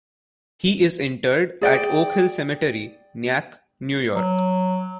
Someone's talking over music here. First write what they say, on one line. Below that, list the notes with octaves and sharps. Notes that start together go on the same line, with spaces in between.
He is interred at Oak Hill Cemetery, Nyack, New York.
G#4 D5 G5
F#3